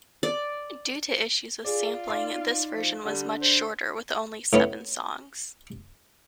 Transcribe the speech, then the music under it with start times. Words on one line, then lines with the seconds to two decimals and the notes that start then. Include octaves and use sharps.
Due to issues with sampling, this version was much shorter with only seven songs.
0.23 D5
1.64 F4 G#4 D5
2.08 D#4 D5 F5 C6
2.72 F3
3.05 D3 G3 D4
3.41 C5
4.53 A2 B3 C#4